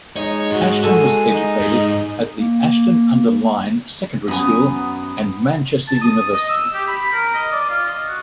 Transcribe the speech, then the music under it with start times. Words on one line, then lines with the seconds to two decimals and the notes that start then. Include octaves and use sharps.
Ashton was educated at the Ashton-under-Lyne secondary school and Manchester University.
0.16 G#3 D#4 C#5 D#5
0.51 G#2 F#4
0.84 A4 G#5
1.28 D#4
1.60 G#2
2.37 A#3
4.28 F#2 B3 G#5 A#5 D#6
5.88 A5
6.01 D#6
6.34 D#5
6.50 E6
6.74 G4
6.88 B5
7.12 A#4
7.34 D#5
7.52 D5
7.69 F4
7.85 D#5
8.07 F#4